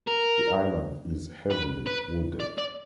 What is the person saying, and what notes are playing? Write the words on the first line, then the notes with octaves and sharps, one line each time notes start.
The island is heavily wooded.
A#4
B4
B4
D5
D5